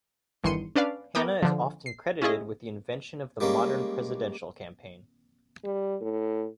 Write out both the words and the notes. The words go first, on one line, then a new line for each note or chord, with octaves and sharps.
Hanna is often credited with the invention of the modern presidential campaign.
G1 E2 D#3 C6 C#7 D#7
C#4 D4 B4 D5 F5
B3 A#4 G5 D6 D#6
D3 F3
C7
C#4 E4 F4 G#4 D#5
G3 G#3 A#3 C#4
G3
A2